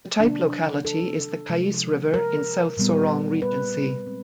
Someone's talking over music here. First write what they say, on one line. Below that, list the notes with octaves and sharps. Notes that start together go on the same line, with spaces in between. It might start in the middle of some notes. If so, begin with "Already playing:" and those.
The type locality is the Kais River in South Sorong Regency.
C3 D#3 F#3 D4
A4
C3 F3 G#3
A#4
A#2 G3 B3
B4
G#3 C4